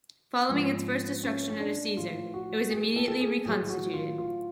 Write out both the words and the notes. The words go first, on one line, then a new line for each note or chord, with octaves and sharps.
Following its first destruction under Caesar it was immediately reconstituted.
G#2 F3
C#4
C#4
D4
A2 F3 F4
F#4
G#4
A4
A4
G#4
A2 F#3 G#4
F#4
F4
F4